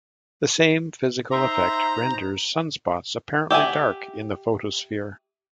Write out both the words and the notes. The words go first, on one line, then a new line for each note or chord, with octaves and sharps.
The same physical effect renders sunspots apparently dark in the photosphere.
D#4 C5 E5 A#5 C6
G4 E5 F#5 G#5